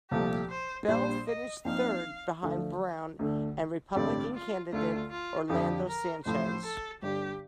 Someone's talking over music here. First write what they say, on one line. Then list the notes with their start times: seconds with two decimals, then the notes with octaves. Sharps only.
Bell finished third behind Brown and Republican candidate Orlando Sanchez.
0.11 C2 A#2 F3 A3 G4
0.50 C5
0.88 A#1 A#2 G3 D4 C5
1.27 D#5
1.65 A#1 A#2 F3 C4 D#4 F5
2.43 D2 D3 F3 A3
3.19 D2 D3 A3
3.95 A1 G2 D3 G3 C4 D5
4.34 F4
4.72 D2 D3 A3 F4
5.11 F4
5.49 F2 D3 F3 G4
5.87 A#4
6.25 A1 A2 F3 C5
6.64 A4
7.02 G1 G2 D3 G4